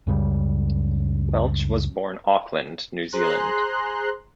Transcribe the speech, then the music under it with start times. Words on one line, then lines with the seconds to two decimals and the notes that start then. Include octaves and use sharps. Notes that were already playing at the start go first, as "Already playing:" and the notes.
Welch was born Auckland, New Zealand.
0.07 C#2 F#2 C#3 G3
3.13 G#4 C5 A#5 C6 F#6